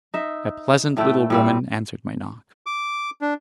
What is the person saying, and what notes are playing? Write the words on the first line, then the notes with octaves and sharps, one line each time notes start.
A pleasant little woman answered my knock.
D#4 E5
A2 A3 E4 G5
A2 G3 C4
D6
D4